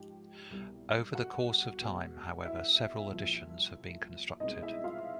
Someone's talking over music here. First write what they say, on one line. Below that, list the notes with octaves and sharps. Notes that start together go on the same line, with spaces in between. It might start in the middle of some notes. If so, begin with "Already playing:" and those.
Over the course of time, however, several additions have been constructed.
Already playing: G#2 F3 G4
C2 B2 G3
F#4 F#5
B2 G#3 B3
E4 E5
C2 A#2 F3
C2 B2 G#3 C4 D#4 D#5
E4 E5
F4 F5